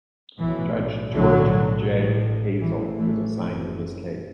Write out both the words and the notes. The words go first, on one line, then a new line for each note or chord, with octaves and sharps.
Judge George J. Hazel is assigned to this case.
B1 A2 E3
B1 A2 D3 F#3
A1 A2
A1 A2 E3
E3 A3
F#1 F#2 E3